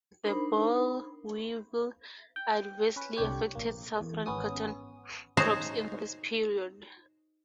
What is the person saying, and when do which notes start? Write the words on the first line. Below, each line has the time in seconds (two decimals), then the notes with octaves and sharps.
The boll weevil adversely affected southern cotton crops in this period.
0.24 D4 D#4 A#4 C5 B5
2.36 G5
2.96 C#4 B4
3.17 C2 D3 G4 C#5
3.55 A#1 A#3
4.00 E2
4.26 G#1 B3 C#4 D#6
5.37 D#4 F#4 G#4 C5 C#5